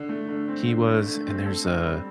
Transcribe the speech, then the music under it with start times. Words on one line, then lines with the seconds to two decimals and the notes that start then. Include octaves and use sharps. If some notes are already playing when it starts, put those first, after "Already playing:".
He was, and there's a
Already playing: D3
0.09 A3
0.28 D3
0.48 C4
0.68 D3
0.88 A3
1.07 D3
1.26 C4
1.46 A4
1.66 C4
1.85 G3